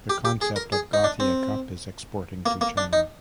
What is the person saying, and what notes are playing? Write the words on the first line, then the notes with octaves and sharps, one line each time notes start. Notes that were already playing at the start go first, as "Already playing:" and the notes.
The concept of Gothia Cup is exporting to China.
G4
G4
G#4
A#4
G#4
D#4
D4
C4
A#3
A#3
D4
D#4